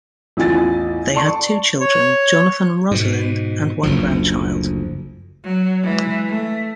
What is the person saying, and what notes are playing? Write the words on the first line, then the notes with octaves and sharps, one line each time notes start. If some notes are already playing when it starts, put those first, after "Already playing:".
They had two children, Jonathan and Rosalind, and one grandchild.
A1 E2 F4 G#5 A6
D5 A5 C6 C#6
C#5
G#2 B2
F#1 D2 F3
F#3
E3 G#3
A3